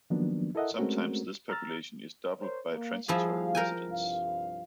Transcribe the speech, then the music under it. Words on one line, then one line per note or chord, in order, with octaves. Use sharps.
Sometimes this population is doubled by transitory residents.
D#3 F3 F#3 A#3 B3 D4
E4 A4 A#4 D#5 E5 F#5
G#3 A3 C4 C#4 F#4 A#4
A#5 E6 F6 A6
A#4 C5 C#5
A#3
F3 G3 E4 G#4 F5
A#4 G5 G#5
C2 G2 F5